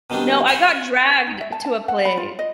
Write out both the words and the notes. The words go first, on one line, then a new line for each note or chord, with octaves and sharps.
No, I got dragged to a play.
B2 D#3 G3 C4 D4
C5 F#5 G#5 B5 C#6
D#4
E5
A5
A5
F#5
B5
F4
D#5